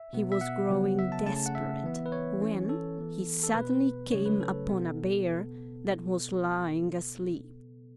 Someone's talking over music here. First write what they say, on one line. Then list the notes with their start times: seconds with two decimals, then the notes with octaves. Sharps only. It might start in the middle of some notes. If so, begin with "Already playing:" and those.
He was growing desperate, when he suddenly came upon a bear that was lying asleep.
Already playing: E5
0.13 B2 B3
0.32 E5
0.41 F#5
0.70 C#3 F#3 B3
0.99 E5
1.12 A5
1.26 C#3 A3 C#4 A5
1.36 A5
1.46 F#5
1.55 E5
1.83 E3 B3
2.06 B4
2.12 C#5
2.41 E3 C#4
2.69 A4
2.98 E3 B3
3.43 A4
3.54 B2 B3 B4
4.11 C#3 F#3 A3 C#4 C#5
4.26 B4
4.40 A4
4.69 B2 B3